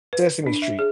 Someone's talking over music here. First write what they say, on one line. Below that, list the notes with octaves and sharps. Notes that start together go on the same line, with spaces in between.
Sesame Street.
B4
D4
E5
G#4